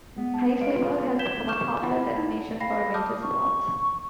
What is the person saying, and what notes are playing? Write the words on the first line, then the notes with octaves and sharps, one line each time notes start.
Hasliberg has become a popular destination for winter sports.
G#3 B3
A5
G#3 B4 F5 D7
F4
G6 G#6 B6 E7 G7
C#6 D6 F6 G6 E7
E4 F4 F#5 G5 B5
D#4 E4
F5 G5 B5 A#6 C7
A5 D6 D#6 F6 G6
C#6